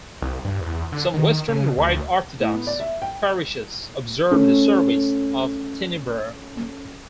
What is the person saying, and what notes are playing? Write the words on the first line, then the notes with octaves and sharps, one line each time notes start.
Some Western Rite Orthodox parishes observe the service of Tenebrae.
C2
G2
E2
D3
D#3
C#3
D2
A2
B3
D5
E5
G5
A3 C#4